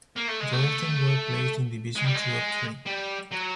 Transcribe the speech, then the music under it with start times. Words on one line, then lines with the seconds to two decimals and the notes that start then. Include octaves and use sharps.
Droylsden were placed in Division Two of three.
0.16 A#3
0.28 A3
0.40 G#3
0.52 A3
1.96 G#3
2.06 G3
2.15 G#3
2.86 G3
3.31 F#3